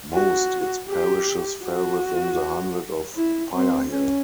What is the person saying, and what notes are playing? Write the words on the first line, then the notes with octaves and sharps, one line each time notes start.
Most its parishes fell within the Hundred of Pirehill.
F#4
G4
F#4
E4
C4
C#4